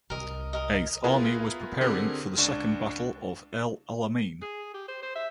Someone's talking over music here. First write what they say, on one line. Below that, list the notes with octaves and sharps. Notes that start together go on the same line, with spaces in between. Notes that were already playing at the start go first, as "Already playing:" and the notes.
Eighth Army was preparing for the Second Battle of El Alamein.
C2 A#4 D#5
A#4 D#5
B3 E4 F4 G#4 A#4 B4
D3 C4 G4 G#4 A#4
C#2 D4 C#6 E7
G#4
G4
C5
C5
E5